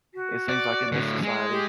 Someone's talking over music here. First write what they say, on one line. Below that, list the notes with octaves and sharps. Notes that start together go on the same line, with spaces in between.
it seems like in this society,
F#4
D5
A2 D3
G#3
G4